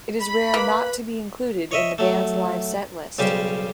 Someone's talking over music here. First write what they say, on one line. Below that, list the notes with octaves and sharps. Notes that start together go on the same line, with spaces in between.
It is rare not to be included in the band's live setlist.
B5
A#3 B4
C#5 D#5 E5
F#3 A3
B1 C#3 G3 G4 C5